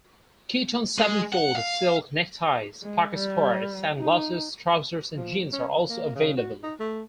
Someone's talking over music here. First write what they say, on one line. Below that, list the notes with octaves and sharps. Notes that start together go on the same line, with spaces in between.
Kiton sevenfold silk neckties, pocket squares, sunglasses, trousers and jeans are also available.
G#3
F#5
F5
G#3
G3
D#4
F3
C#4
F3
A#3
C#3
F#4
D#4
A3